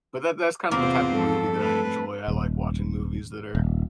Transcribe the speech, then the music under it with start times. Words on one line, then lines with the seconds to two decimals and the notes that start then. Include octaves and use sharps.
But that that's kind of the type of movie that I enjoy. I like watching movies that are,
0.71 E2 C3 A#3 C4 F4 C5
1.14 F2 A4
1.56 A3 C4 B4
2.28 D#1
3.55 D#1